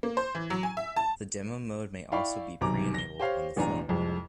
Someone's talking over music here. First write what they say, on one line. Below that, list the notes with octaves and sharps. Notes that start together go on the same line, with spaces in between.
The demo mode may also be pre-enabled on the floor model.
A#3
C5
E3
F#3
G#5
E5
A5
E4 D5 F5 G5 B5 C#6
B1 F#2 C3 D#3 A#5 D6
A#6 G7
G4 C5 C#5 F5
E1 A1 E2 D4 G#5 A#5
C2 F2 G#3